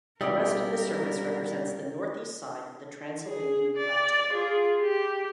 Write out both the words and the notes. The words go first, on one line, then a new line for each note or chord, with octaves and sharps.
The rest of the surface represents the North-East side of the Transylvanian Plateau.
C#2 B2 G3 D#4 E4 A#4 D5
G#4
D5
F4 G#4
G4